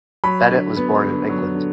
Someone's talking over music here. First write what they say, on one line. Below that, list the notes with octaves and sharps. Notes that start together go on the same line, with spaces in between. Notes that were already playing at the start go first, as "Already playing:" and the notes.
Bennett was born in England.
F#3 B5
D3
B3
D3
F#3
D3